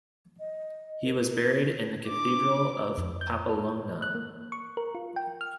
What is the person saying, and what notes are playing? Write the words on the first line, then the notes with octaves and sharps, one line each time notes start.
He was buried in the Cathedral of Pamplona.
D#5
A#4
D4 D6
F2
G6
A4
F#6
A#3
C#6
A#4
F4
G5
F6